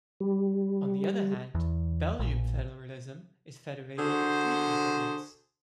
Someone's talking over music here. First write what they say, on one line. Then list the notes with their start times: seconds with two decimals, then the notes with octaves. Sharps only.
On the other hand, Belgian federalism is federated with three components.
0.20 G3
1.55 E2
2.19 A#1
3.99 D3 F#4 G#4 C5